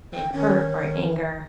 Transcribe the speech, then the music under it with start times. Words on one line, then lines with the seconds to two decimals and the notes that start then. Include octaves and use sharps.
in hurt or anger,
0.14 G5
0.33 D#3 C#4